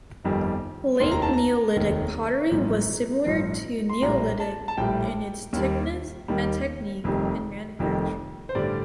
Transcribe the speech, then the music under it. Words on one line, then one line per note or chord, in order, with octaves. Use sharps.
Late Neolithic pottery was similar to Neolithic in its thickness and technique in manufacturing.
G1 F2 D#3 G3
F1 D#2 D#3 C6
A#5
A5
A#5
F1 D#2 D#3
A1 G2 F3
A1 G2 F3
C6
A#1 A2 G3 A#5
A5
A5
A#1 A2 G3 G5
D#2 D#3 G3
D#2 D#3 G3
F1 F2 D#3 G3
F1 F2 D#3 G3
C5
A1 G2 D3 G3 D5